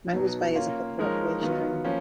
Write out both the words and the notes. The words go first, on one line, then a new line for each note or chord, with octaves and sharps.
Mangles Bay is a popular recreation area.
B2 F#3 B3 D#4
A#3 C#4 F4
F3 G#3 D#4 A#4 C#5
D#3 F#3 B3 F4
F3 A#3 C#4